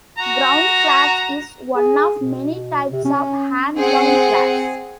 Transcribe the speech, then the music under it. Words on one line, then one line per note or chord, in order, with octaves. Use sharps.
Crown glass is one of many types of hand-blown glass.
F#4 A#5
G#4
B2
C3
C#4
C4 G#4 F#5